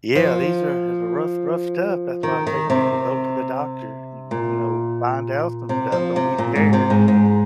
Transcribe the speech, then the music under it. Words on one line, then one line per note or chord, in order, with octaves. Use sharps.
Yeah, these are as a rough, rough stuff that's why I say, "People, go to the doctor, y y you know, find out some stuff don't be scared."
F3
D#3
D#3
C3
A#2
C3
F3
C3
A#2
G#2
C3
G#2
G#2